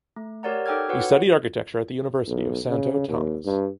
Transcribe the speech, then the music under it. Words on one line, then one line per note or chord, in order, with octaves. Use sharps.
He studied architecture at the University of Santo Tomas.
A3
G4 A#4 C#5 D5 F#5 A#5
D#4 A4 G5 D6 F6 G#6
F#4 B4 C#5 F#5
B1
C#3
D#2
G2